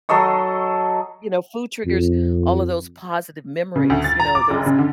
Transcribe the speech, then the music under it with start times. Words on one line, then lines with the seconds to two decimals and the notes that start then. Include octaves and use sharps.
You know, food triggers all of those positive memories, you know, those
0.09 F#3 A4 D#5 C#6
1.87 F2
3.76 C#3
3.90 D2
4.04 A6
4.20 A#5
4.35 D6
4.50 F#1
4.66 C#3
4.79 D3